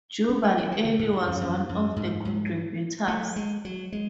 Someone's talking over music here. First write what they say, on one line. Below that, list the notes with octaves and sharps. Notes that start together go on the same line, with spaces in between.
Jubal Early was one of the contributors.
C#4
A3
F#3
F3
D3
A2
G#2
F#2
F#2
F#2
G#2
G#2
A3
G#3
F#3
G#3